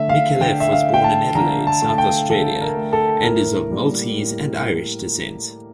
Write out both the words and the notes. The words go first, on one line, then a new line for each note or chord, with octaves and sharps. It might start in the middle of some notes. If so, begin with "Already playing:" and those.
Micallef was born in Adelaide, South Australia, and is of Maltese and Irish descent.
Already playing: D3 A3 E5
F5
D3 G5
E5
F5
A3
G5
A5
D3 A#5
A5
A3
A5
G5
D3 A4
A#4
A3
A4
A2 A#4
G3 A#3
A2